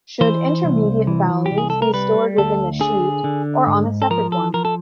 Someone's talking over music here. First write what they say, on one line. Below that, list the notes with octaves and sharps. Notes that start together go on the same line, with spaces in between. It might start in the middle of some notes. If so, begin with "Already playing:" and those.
Should intermediate values be stored within the sheet, or on a separate one?
E3 C5
C2
E3
C2 G4
G#4
A4
A#4
G3 B4
D2 A4
D3 G#4
D3
G#2
A4
F3 A#4
A4
F3 A#4
A4